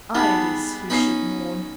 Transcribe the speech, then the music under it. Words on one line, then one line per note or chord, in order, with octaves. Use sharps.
I it is who should mourn.
G3 G#3 B3 D#4 F#5 A5
B3 C#4 D#4 B5 C7